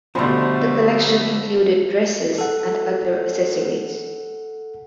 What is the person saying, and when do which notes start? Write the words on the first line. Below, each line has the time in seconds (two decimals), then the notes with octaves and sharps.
The collection included dresses and other accessories.
0.15 B2 D3 F3 G3 A3 C5 B5 C6
2.39 A4 F#5